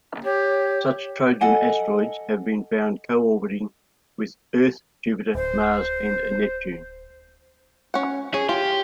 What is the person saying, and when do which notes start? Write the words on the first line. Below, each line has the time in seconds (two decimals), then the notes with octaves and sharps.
Such 'trojan asteroids' have been found co-orbiting with Earth, Jupiter, Mars, and Neptune.
0.24 G4 C#5
1.41 A4 D#5 F#5 G#5
5.35 D1 C5
7.94 C#4 F#5
8.34 C#4 G#4
8.49 F4 G4